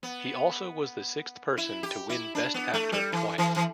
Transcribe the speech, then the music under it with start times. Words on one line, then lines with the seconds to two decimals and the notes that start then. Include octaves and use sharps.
He also was the sixth person to win Best Actor twice.
0.03 B3
1.57 E4
1.83 G4
2.09 E4
2.35 D4
2.54 B3
2.74 A3
2.92 G3
3.12 E3
3.38 E3
3.56 E3